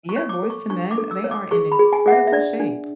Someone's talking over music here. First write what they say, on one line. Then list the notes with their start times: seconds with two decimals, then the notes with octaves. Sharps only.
Yeah, Boyz II Men, uh, they are in incredible shape,
0.09 C#6
0.16 C#5
0.29 D6
0.43 A4
0.50 C#6
0.70 D4 C#6
0.91 D6
0.98 A4
1.11 E6
1.24 C#5
1.31 D6
1.51 G#4 C#6
1.72 B5
1.79 G#4
1.93 G#5
2.06 G#4 F#5
2.13 E5
2.27 E5
2.32 D4 D5
2.60 D4